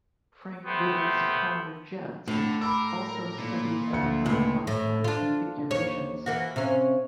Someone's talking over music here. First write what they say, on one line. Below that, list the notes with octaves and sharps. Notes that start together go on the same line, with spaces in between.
Frank Whittle's Power Jets also studied a number of bypass configurations.
A3 B3 G4 C5
A2 D3
A#4 B5 D6 E6
A#2
D2 C#7
C#2 A2
A2
D4 F4
D#2 C#5
E3 A#3 F#4
C3 C#4 F5